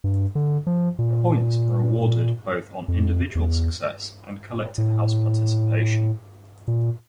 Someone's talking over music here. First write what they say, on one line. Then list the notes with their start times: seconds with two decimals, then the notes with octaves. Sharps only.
Points are awarded both on individual success and collective house participation.
0.04 G2
0.35 D3
0.67 F3
0.99 A#2
2.88 F2
3.35 E2
4.78 A2
6.68 A#2